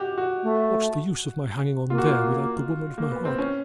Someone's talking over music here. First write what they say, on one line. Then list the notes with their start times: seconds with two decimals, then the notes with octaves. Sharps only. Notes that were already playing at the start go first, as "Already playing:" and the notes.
What's the use of my hanging on there without the woman of my heart?
Already playing: F#4 G4
0.18 F#4
0.43 A3
1.90 A#3 F4
1.98 F#4
2.06 F4
2.98 A#3
3.12 B3
3.25 C4
3.38 C#4